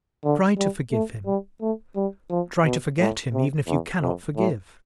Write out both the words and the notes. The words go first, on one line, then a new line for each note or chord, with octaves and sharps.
Try to forgive him; try to forget him, even if you cannot forgive.
D3
G3
A3
G3
A3
G3
F3
B2
A2
C3
E2
F2
A2